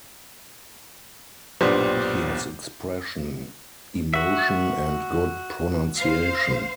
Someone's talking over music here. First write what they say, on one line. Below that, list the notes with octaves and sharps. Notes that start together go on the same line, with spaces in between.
He has expression, emotion and good pronunciation.
B1 G2 A#2 G3 B3 C5
F#4 E5
C5 F5